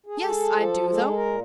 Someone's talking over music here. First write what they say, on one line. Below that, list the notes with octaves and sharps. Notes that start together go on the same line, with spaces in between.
Yes, I do, though.
G#4
G#3 A4
F3
G#3 A4
A4
A#4
A#2